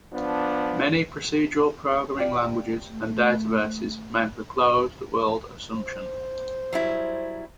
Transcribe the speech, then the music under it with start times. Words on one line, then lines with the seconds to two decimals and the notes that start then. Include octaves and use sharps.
Many procedural programming languages and databases make the closed-world assumption.
0.13 F3 B3 D4
2.17 F4 G4 D5
2.91 A3
5.78 C5
6.73 F#3 G3 E4